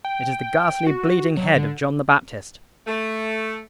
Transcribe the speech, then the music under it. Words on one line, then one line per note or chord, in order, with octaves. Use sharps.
It is the ghastly, bleeding head of John the Baptist!
G5
F#4
F#3
D3
A3